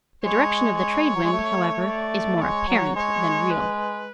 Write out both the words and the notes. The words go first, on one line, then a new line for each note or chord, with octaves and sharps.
The direction of the trade wind, however, is more apparent than real.
G#3 C#5
C#5
F#3
G#3
A3
D5
A3
G#3 C#5
F#3
G#3 C#5
B4